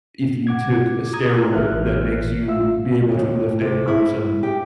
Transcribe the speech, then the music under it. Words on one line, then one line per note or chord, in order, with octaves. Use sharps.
if you took a steroid that makes you be able to lift a person
F#5 D6 G#6
A#5 D#6 G#6
A1 E3 E5 F6 F#6
F4 E5 E6
D#2
C3
E4
G4